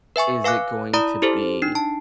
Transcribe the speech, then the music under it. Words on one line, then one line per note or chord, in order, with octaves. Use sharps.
is it going to be
B4 E5 G#5 C#6
B4 F5 G#5 D6 F#6
E4 D5 A#5 B5 D#6
E4 G4 A4 C5
D4 D#4 C7
A5